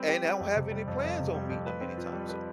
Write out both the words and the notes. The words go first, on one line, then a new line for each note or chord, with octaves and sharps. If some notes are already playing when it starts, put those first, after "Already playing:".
and I don't have any plans on meeting ‘em anytime soon.
Already playing: G3 C4 B4
G4
G3
F2
C3
G3
F2
F2
C3
G3
F2
B4
C4
F4
G3
B4